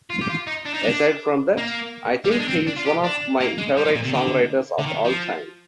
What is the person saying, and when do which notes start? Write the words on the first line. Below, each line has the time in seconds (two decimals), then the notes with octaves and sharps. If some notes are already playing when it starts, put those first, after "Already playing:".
Aside from that, I think he's one of my favorite songwriters of all time.
0.10 F4
0.21 G4
0.29 F4
0.47 D#4
0.65 D4
0.74 D#4
0.83 D4
1.58 A#3
2.25 G3
2.31 G#3
2.40 D4
2.48 C4
2.67 D4
2.76 F4
2.85 G4
3.04 D4
3.40 A#3
3.58 G#3
3.77 G3
3.85 F3
3.95 A#2
4.05 C3
4.13 D3
4.78 D3
4.86 D#3
5.05 F3